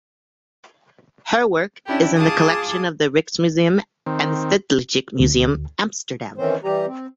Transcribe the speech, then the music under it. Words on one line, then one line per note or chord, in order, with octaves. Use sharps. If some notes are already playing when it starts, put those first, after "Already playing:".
Her work is in the collection of the Rijksmuseum and the Stedelijk Museum Amsterdam.
C#4 D4 E4 G4
F4 G#4 A5 D6 D#6
D#3 C4
D2
D#3 E3 C4 C#4 C5
E3 G3 G4 A#5
C4